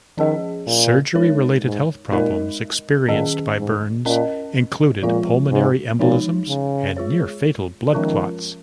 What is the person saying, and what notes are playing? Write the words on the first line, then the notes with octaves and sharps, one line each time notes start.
Surgery-related health problems experienced by Burns included pulmonary embolisms and near-fatal blood clots.
D#3 F3 C#4 G#4 D#5
A#2
G#3 D#4 A#4 C#5
G#2
A#2 G#3 D#4 A#4 D#5
A#2 D#3 C#4 G#4 D#5
G#2
A#2 C#4 A#4 D#5
A#2 F3 G#3 F4
G#2
A#2 F3 G#3 D#4 C#5
C#3
G#3 F4 G#4 C#5
D#3 F3 G#3 C#4 F4 A#4